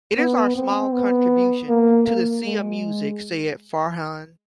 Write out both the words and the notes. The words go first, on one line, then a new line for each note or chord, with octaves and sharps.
It is our small contribution to the sea of music, said Farhan.
B3
C4
B3
A#3
A#3
G#3